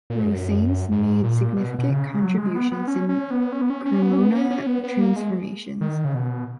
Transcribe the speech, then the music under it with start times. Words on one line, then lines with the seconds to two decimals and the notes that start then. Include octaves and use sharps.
Rosanes made significant contributions in Cremona transformations.
0.10 A#2
0.21 G#2
0.27 F#2
0.92 G#2
1.24 A#2
1.56 B2
1.79 B2
1.90 C#3
2.22 F#3
2.38 G#3
2.55 B3
2.71 B3
2.88 C#4
3.09 C#4
3.31 B3
3.53 C#4
3.61 B3
3.70 C#4
3.85 C#4
4.02 B3
4.13 C#4
4.18 B3
4.35 C#4
4.51 C#4
4.67 B3
4.83 B3
5.00 A#3
5.16 G#3
5.81 D#3
6.05 C#3
6.15 B2